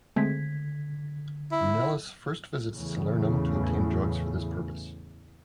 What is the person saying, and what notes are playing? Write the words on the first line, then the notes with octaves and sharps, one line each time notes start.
Brunellus first visits Salernum to obtain drugs for this purpose.
D3 G#3 A3 C4 G#6 B6
E4
E2 A2 C#3